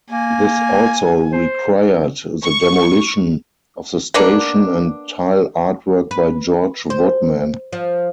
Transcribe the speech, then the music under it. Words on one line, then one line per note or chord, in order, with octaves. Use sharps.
This also required the demolition of the station and tile artwork by George Woodman.
A#3 G#5
C5
C#6
A#3 B3 D4
B4
C5
F3